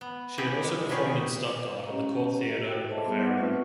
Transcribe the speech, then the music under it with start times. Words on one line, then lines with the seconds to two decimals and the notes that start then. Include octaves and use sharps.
She had also performed in Stuttgart and the court theatre in Bavaria.
0.01 B3
0.38 E4 G4 G#4
0.63 G#3
0.89 D3 D#3 G4 G#4 B4 C#5
1.86 C#4 G4 C#5 D#5 A#5
2.63 F#4 A4 A#4 G5
2.87 C5 C#5 D#5 E5 A5
3.05 G3 B3 G#4 E5 C6 D6
3.19 D#4 F#5
3.37 A3 C4 F4 B4 E5 C#6